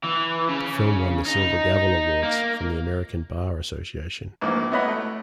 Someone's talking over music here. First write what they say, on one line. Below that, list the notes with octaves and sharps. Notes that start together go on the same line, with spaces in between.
The film won the Silver Gavel Awards from the American Bar Association.
E3
C#3
D#4
A#3
A#1 G#2 E3 A#3
B3 E4 C#5 D#5 F#5 B5
A3 E4